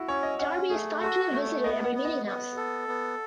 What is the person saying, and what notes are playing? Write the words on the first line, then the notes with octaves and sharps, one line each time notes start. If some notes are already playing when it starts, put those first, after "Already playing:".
Darby is thought to have visited every meeting house.
Already playing: E4 F#4
C#4 C#5
D#5
C#4 F#5
A3 G#4
F#4 A4
A3 C#5
B3 D#5
F#5
B3
D#5
B3
A4
B3